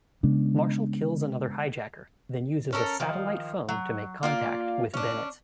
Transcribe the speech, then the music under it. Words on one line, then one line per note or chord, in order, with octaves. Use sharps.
Marshall kills another hijacker, then uses a satellite phone to make contact with Bennett.
C#3 G#3 B3 D4
C#4 D4 A4 A#4
D#3 F3
F#3
A#3 F4 D5
C#4 D4